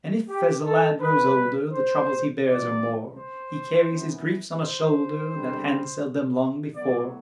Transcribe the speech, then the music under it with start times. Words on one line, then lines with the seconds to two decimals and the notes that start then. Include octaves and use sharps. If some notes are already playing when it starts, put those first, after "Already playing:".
And if as a lad grows older The troubles he bears are more, He carries his griefs on a shoulder That handselled them long before.
0.29 G4
0.65 A4
1.01 G2 D3 G3 B4
1.72 C5
2.44 G2 E3 B3 D5
3.16 C5
3.88 F#2 E3 B3
4.60 C5
5.31 E2 D3 G3 C4
6.74 A2 F#3 B3 D5